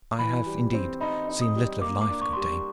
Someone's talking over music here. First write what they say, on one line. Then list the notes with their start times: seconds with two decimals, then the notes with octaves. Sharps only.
"I have indeed seen little of life, good dame."
0.19 E3 B5
0.46 G3
0.73 C4
1.00 D#4 B5
1.28 D#4
1.42 D#6
1.55 G3
1.81 A#3 D6
2.01 D6
2.09 D4
2.22 C#6
2.33 G3 C6
2.43 C#6